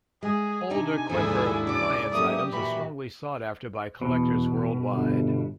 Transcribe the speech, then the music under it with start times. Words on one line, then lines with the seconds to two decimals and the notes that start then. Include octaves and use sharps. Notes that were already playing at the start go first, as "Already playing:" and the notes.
Older Quimper faience items are strongly sought after by collectors worldwide.
0.23 G#3 G#4
0.70 C3 D4 D#4 G#5
1.09 D#2 G#2 F3 D4 E4 G#4 A4
1.67 C#3 F#4 D5 D6
2.13 F#3 A3 A#3 C#4 G4 D#6
2.52 A#2 E3 F#4 B5
4.02 E2 B2
4.91 G1